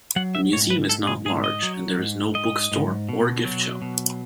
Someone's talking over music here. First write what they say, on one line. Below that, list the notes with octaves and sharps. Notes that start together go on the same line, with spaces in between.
The Museum is not large and there is no bookstore or gift shop.
F#3 F#5
E5
G#2 C#5
B4
G#2 A4
G#4
G#2 G#4
D#5
F#3
G#2
G#2 D#5
G#2
B2
F#3
B2